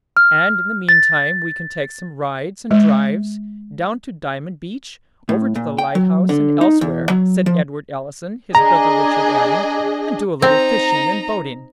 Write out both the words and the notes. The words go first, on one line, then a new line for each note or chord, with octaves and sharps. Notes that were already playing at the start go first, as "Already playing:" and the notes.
"And in the meantime we can take some rides and drives,--down to Diamond Beach, over to the light-house, and elsewhere," said Edward Allison, his brother Richard adding, "and do a little fishing and boating."
F6
A6
G#3
A2
A#2
G5
F#3
D3
D#4
E2
F#3
F3
D4 G#4 D#5 A#5
C4 D#4 A#5